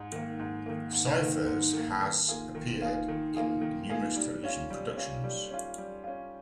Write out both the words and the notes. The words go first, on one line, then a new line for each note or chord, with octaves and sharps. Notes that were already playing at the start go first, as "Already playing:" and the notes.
Cyphers has appeared in numerous television productions.
Already playing: G#2
D#3 A#3
G#2
D#3 A#3
G#2
D#3 A#3
G#2
D#3 A#3
D#3
A#3 F4 G#4
D#3
A#3 F4 G#4
D#3
A#3 F4 G#4
D#3
A#3 F4 G#4
G3
C#4 F4
G3
C#4 F4
G3
C#4 F4
G3
C#4 F4